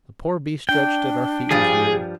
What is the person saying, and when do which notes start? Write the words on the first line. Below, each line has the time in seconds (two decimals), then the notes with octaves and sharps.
The poor beast stretched at our feet was weary.
0.69 D4 G5
1.51 G2 F3 G3 G#4